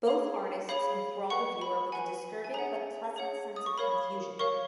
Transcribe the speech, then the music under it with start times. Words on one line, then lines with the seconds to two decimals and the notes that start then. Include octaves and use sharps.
Both artists enthrall the viewer with a disturbing but pleasant sense of confusion.
0.07 G#4 C#5 F5
0.69 G#4 C#5 F5 B5
1.30 B4 F#5 C#6
1.61 B5
1.92 B4 F#5 G#5
2.44 G#5
2.54 G#4 C#5 F#5 A#5
3.16 G#4 C#5 F#5
3.56 D#6
3.66 C#6
3.78 A#4 C#5 F5 B5
4.39 A#4 C#5 F5 C#6